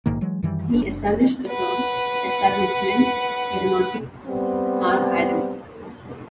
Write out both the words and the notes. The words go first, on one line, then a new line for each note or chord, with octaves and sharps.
He established the firm Etablissements Aeronautiques R. Adam.
A#1 G#2 D#3 A#3
E3 F#3 G#3
F#2 D#3 E3 G3
F#1 D4
B4 F#5
G3 B3 C4